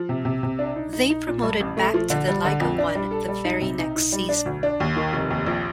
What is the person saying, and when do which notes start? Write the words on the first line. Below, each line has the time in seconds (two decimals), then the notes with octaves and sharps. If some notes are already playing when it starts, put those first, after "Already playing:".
They promoted back to the Liga One the very next season.
Already playing: F3
0.09 C3
0.25 C3
0.43 C3
0.59 D4
0.76 D#4
0.93 D#4
1.10 D#4
1.27 A#2
1.43 G2
1.61 A1
1.77 A3
1.94 F3
2.10 D3
2.28 G3
2.45 D3
2.60 F2
2.78 D4
2.95 G3
3.11 A4
3.28 G3
3.45 D#4
3.61 C3
3.79 D#4
3.96 D#4
4.12 G3
4.29 D4
4.46 D2
4.63 D4
4.80 D#2
4.96 D#3
5.13 F1
5.30 D#2
5.46 A#1